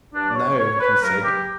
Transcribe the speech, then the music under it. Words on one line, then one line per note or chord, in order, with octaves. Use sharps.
"No," he said.
G2 F#3 D4
D5
C#5
C#5
B4
G2 F#3 A#4
G4